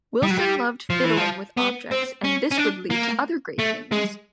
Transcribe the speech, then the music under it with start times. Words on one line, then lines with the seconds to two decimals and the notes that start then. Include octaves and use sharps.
Wilson loved fiddling with objects and this would lead to other great things.
0.23 G3
0.31 F#3
0.38 G3
0.90 F3
1.04 E3
1.17 F3
1.57 B3
1.91 C4
2.24 C#4
2.52 C#4
2.58 D4
2.91 A#3
3.59 A3
3.92 G#3